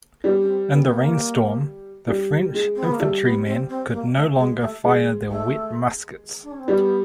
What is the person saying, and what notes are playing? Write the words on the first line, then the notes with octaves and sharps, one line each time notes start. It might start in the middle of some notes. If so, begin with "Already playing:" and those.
In the rainstorm, the French infantrymen could no longer fire their wet muskets.
G3 B3
C#4
C4
B3
B3
A#3
G3
G#3
C4
B3
A#3
G3 A3
B3
C4
C4
A#3
A3
G#3
A3
G#3
A3
D4
C#4
C4
G3 B3